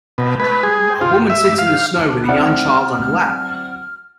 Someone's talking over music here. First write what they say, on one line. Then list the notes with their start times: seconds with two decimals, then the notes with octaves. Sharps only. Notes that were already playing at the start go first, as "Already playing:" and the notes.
A woman sits in the snow with a young child on her lap.
0.18 B2
0.40 B4
0.63 G#4
1.01 F4
1.30 E5
1.58 F5
2.29 C4 E4 D5 F#5 F6